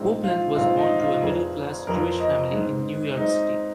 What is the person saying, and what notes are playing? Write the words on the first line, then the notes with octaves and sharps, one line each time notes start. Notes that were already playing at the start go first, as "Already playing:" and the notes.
Copeland was born to a middle-class Jewish family in New York City.
Already playing: A#1 G#2 G#3 C4
F4
A#1 G#2 G#3 C4 F4
D#4
F4
F1 F2 F3 C4 G#4
F1 F2 F3 C4 A#4
D#5
G#2 G#3 C4
G#3 C4 D#4